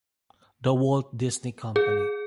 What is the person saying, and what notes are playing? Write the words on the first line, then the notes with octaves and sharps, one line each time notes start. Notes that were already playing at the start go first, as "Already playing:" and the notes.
The Walt Disney Company.
G#4